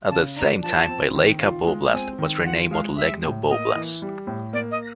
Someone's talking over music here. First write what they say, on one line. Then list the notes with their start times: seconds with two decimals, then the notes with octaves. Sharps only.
At that same time, Vileika Voblast was renamed Molodechno Voblast.
0.11 C#3 A5
0.36 D4 A#5
0.63 F3 A5
0.88 C4
1.15 D#3
1.41 F4
1.67 G#3
1.93 C4 G#5
2.19 D#3
2.45 F4 F#5
2.71 G#3 F5
2.97 G3 E5
3.24 A2
3.50 A#3 D#5
3.76 E3
4.02 G3
4.27 A2
4.53 A#3 D5
4.71 D#5